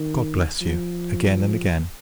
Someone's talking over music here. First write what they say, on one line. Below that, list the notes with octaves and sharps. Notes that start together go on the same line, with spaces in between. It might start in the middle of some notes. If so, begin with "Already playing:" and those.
God bless you, again and again!
Already playing: D#3
F3